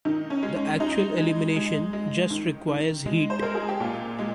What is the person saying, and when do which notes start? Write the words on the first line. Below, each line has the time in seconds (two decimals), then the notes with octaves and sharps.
The actual elimination just requires heat.
0.05 D#3 D#4
0.30 C#4
0.43 G#3
0.56 C#4
0.80 G#3 D#4
1.18 G#3
1.56 G#3
1.93 G#3
2.30 D#3
2.68 D#3
3.06 G#3
3.30 C5
3.42 G#3 A#4
3.55 G#4
3.68 G4
3.80 A#2 F4
4.19 G#3